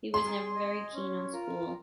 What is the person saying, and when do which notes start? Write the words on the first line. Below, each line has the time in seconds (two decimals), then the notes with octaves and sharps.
He was never very keen on school.
0.14 G#4 C6
0.54 D#5 G#5
0.93 C#4
1.33 F4 A#4